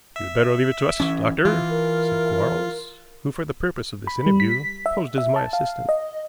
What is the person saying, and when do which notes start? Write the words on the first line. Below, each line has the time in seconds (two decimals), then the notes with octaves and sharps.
"You had better leave it to us, doctor," said Quarles, who, for the purpose of this interview, posed as my assistant.
0.16 E5
1.00 E3 C#4
1.45 E3 F4
1.69 A#4
4.07 B5
4.26 G3
4.40 B6
4.86 E5
5.18 E5
5.36 A5
5.53 F5
5.89 D#5